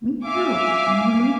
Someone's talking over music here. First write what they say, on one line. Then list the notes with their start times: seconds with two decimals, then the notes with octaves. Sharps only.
Me too. Mhm.
0.25 E5 F5 G#5 D6